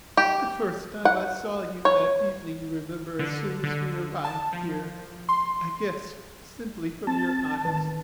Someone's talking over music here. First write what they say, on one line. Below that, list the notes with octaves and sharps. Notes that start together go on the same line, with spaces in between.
The first time I saw you, that evening, you remember, as soon as we arrived here, I guessed simply from your eyes.
G4
F#5
C#5
D3
D3
A5
F3
C6
C4 A5
A1 D#3 B4